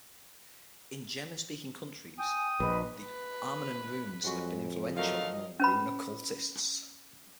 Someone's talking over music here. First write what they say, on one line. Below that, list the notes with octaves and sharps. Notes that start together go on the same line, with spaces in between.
In German-speaking countries, the Armanen Runes have been influential among rune-occultists.
G5 G#5 D#6
A#1 B4 D#5 B5
B4
F2 F#3 G#3 F#4
D3 F3 F#3 A3 A#4 D#5 F5
C#4 B4 B5